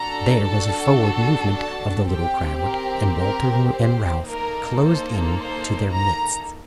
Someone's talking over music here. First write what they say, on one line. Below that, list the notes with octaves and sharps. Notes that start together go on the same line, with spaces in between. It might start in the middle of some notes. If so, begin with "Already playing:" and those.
There was a forward movement of the little crowd, and Walter and Ralph closed in to their midst.
Already playing: D4 F#4 A4 A#5
A5
A5
C4 G4 G5
A#4
A#4
C5
A#3 D#4 A4 A#4
C5
C5
A#5